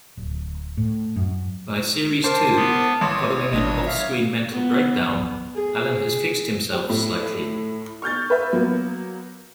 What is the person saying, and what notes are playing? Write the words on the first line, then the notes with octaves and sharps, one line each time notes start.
By series two, following an off-screen mental breakdown, Alan has fixed himself slightly.
D1
A2
F#2
A#4 C5 A5 D6 C7
B3
A1 C#5 C6 D6 E7
G#1 G3 D4 D#5
E5 F5
B3
G#4
G4
A2
C#6 F6 G6 A6
B4 E5
F#3 A#3 B3